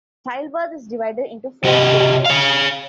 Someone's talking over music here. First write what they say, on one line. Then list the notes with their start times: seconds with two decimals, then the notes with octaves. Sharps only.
Childbirth is divided into four stages.
1.64 C3 F#4 G4 D#5
2.25 C#5 F5